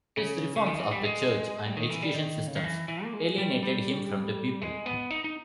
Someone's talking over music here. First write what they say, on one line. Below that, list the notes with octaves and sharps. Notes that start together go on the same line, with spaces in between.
His reforms of the church and education systems alienated him from the people.
C#3
C#3
D#3
E3
G3
G#3
G3
D#3
E3
G3
D#3
C#3
D#3
E3
E3
A#3
G#3
G3
G3
G#3
B3
D#4
D#4